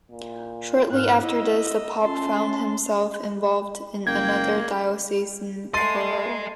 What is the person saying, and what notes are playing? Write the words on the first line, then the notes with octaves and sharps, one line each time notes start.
Shortly after this, the pope found himself involved in another diocesan quarrel.
A#2
G#2 F6 F#6
E4 D#5 E6
C#4 F4 A5 C6
A3
F#1 A#3 G5 G#6
A3 D#5 G#5 C6 A6 C7 D#7